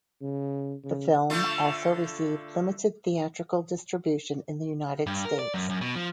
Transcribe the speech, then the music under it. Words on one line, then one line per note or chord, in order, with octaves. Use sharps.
The film also received limited theatrical distribution in the United States.
C#3
C#3
D3 A3 F4
G2
A#4
D5
F#2
F#2
B2
F3